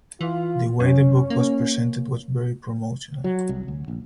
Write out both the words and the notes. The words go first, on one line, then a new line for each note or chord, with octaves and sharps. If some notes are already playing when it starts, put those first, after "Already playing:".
The way the book was presented was very promotional.
E3 F4
F#2 C#4
A#3
F#3
C2
D2
A#1